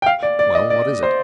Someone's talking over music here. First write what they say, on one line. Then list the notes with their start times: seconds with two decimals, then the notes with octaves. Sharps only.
"Well, what is it?"
0.02 G5
0.06 F5
0.23 D5
0.39 D5
0.55 D#5
0.70 D5
1.03 C5